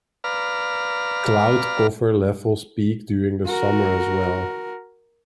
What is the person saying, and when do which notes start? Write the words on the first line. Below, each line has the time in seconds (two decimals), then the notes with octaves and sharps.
Cloud cover levels peak during the summer as well.
0.24 B4 D5 F5 A#5 F6
3.46 F#4 A#4